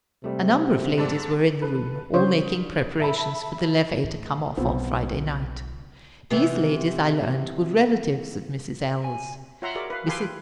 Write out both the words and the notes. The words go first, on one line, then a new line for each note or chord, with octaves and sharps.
A number of ladies were in the room, all making preparations for the levee to come off on Friday night. These ladies, I learned, were relatives of Mrs. L.'s,--Mrs.
C3 G3 A3
G#2 A4 D5
A4 B4
C#3 D4 C5 C#5
E5 A5 B5
A2
F#1 B1 B3 C4 F4
C3 E3 B3
G#5
F4 C#5 E5 F#5 A#5 C6
F#4 G#4 A#4 D5 E5
B4 F5
G4 A4 B4 F5 G#5 C6
B4